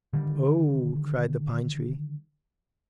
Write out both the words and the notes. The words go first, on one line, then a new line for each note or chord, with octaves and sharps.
"Oh!" cried the pine tree.
D3 D#3 G3